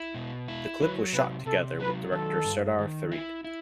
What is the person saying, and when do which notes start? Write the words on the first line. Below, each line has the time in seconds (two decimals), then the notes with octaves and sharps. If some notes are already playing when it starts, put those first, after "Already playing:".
The clip was shot together with director Serdar Ferit.
Already playing: E4
0.15 B2
0.48 E4
0.80 F#3 B4
1.13 C3 B4
1.46 C3 A4
1.80 F#3 B4
2.12 D#3 A4
2.45 G2
2.79 D#3
3.12 E4
3.44 E4